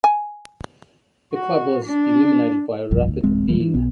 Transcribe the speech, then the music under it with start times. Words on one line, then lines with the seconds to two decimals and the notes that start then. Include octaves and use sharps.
The club was eliminated by Rapid Wien.
0.04 G#5
1.34 F#4
1.85 D4
2.91 F1 B1 G2 F3
3.08 D2
3.23 D1 A1 G#3 C4
3.48 E1 E3 G3 G#3
3.60 E3
3.74 B1 B2 B3